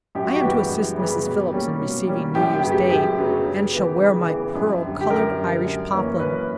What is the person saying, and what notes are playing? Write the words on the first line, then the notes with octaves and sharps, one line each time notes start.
I am to assist Mrs. Phillips in receiving New Year's day, and shall wear my pearl-colored Irish poplin.
F#2 G4
F#4
G4
C#3 E3 G3 B3
F#2
C#3 E3 G3 B3
B2
G3 A#3 C#4
B2
G3 A#3 C#4
F#2 G4
G4
C#3 F#3 B3
G4
F#2 G4
C#3 F#3 B3
C#3
E3 B3
C#3
E3 B3
F#2
D3 G3
G4
F#2 A#4
D3 G3
F#2
E3 A#3 C#4
F#2 B4